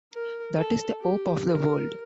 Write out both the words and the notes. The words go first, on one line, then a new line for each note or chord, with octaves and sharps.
That is the hope of the world.
A#4
A4
G4
A#4